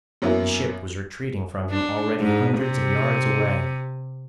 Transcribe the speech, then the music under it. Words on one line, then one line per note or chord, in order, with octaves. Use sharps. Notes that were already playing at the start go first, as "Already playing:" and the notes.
The ship was retreating from him already hundreds of yards away.
F#2 F#3 A#3 B3 E4
D4
G#2
C3